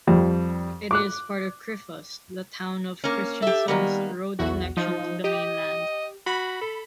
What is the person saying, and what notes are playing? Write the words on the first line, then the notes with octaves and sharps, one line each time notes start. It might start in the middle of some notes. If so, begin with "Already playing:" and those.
It is part of Krifast, the town of Kristiansund's road connection to the mainland.
F2 G3
D6 F#6
A#3 C#4
G4 A4 E5
D#3 G3 A#3 B3
B1 E2 E4 F#4
F3 D#4
G4 D#5
F#4 B5
A4